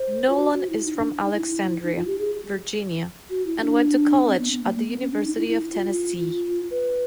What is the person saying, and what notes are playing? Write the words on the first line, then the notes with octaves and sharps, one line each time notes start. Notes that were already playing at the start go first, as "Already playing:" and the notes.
Nolan is from Alexandria, Virginia and went to college at the University of Tennessee.
Already playing: C5
F4
F#4
F#4
E4
D#4
D4
D#4
E4
D#4
F4
G4
G#4
F#4
E4
D4
C4
B3
B3
A#3
A#3
B3
C#4
D4
D#4
E4
E4
F4
B4